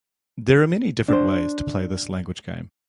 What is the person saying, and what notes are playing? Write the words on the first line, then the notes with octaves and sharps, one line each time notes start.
There are many different ways to play this language game.
D4 C5